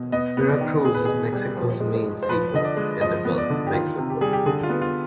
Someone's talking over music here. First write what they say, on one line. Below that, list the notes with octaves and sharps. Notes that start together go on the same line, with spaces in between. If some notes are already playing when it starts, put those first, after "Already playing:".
Veracruz is Mexico's main seaport in the Gulf of Mexico.
Already playing: B2
B3 D#5
B3
D5
D#3
B2 G#4
B4
B2 G#4
G3
F3
G#3
G#3
C5
F3 B4
D3 D#5
D5
G#3
F3 D#5
B3
D5
D3
G4
D#3 F4
C3
G4
G3 G#4
G4
D3 G#4
F4
B3
F4